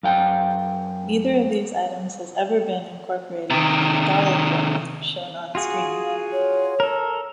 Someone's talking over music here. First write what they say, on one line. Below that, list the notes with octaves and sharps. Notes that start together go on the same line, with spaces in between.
Neither of these items has ever been incorporated in a Dalek variant shown on-screen.
F#2 F5 G5
C3 D#3
F4 F#4 G#4 F5
C#5
A4 A#4